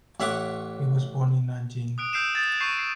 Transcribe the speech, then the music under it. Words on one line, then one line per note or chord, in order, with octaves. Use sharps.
He was born in Nanjing.
A1 C#5 E5 F#5 C#6 D6
D#6 F#6 D7
E6 G6 C7 D7 E7
D#6 G#6 A6 E7
C#6 G6 C7 E7
C7